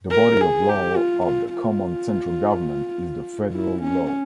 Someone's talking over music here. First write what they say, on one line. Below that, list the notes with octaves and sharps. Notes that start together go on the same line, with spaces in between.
The body of law of the common central government is the federal law.
A#4
G#4
G4
F4
F4
F4
E4
C#4